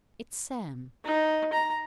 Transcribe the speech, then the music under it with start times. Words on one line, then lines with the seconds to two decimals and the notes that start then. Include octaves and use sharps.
It's Sam.
1.05 D#4
1.53 A#5